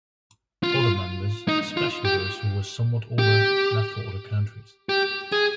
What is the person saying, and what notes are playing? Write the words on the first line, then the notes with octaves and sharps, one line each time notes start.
Other members, especially those who were somewhat older, left for other countries.
F4
D#4
F4
G4
G4
G4
G#4